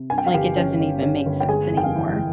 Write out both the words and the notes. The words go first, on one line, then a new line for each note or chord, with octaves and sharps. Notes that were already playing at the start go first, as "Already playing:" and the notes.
Like, it doesn't even make sense anymore."
Already playing: C3
G2 G#5
G5
F5
G1 G4 G5
C#4
C#4
C#4
G1
G5
G#3 G#4 G#5
F2
G5
F5
E3